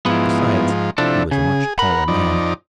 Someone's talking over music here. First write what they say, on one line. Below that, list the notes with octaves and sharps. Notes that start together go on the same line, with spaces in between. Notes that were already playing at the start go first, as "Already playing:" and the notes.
Besides, he was a much taller man.
G#2 F3 B3 E4
C3 F3 D4 E4 A4
C#3 G#4
A#4 F#5 B5
F2 D#4 D5